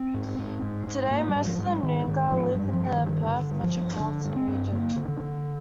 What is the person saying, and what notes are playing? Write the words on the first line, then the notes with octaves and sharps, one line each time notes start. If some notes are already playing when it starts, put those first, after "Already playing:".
Today, most of the Noongar live in the Perth Metropolitan Region.
Already playing: C4
G#2
G#2
G#2
G#2
G#2 A#3
G3
G#2
F3
G#2
G3
G#2 D#3
G#2 D#3
G#2 F3
G2 G3
F3
G2
D#3
G2
D#3
D3
G2
F3
G2
D3 D4
G2
C4
G2
D3 A#3
D3
D3
D3